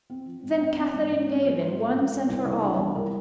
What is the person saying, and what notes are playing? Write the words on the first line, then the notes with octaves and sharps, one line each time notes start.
Then Katharine gave in, once and for all.
C4
F3
G#2
C4
C4
G#2
G#2
C4
F3
G#2 C5
F3
G#2
C4
C2
C2
D4
G3
C2 A#4